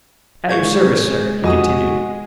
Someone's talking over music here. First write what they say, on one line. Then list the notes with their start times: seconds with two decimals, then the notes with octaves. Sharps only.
"At your service, sir," he continued.
0.49 G#3 G#4 C#6 G6 G#6
1.44 F2 F#4 D#5 G#5 D#6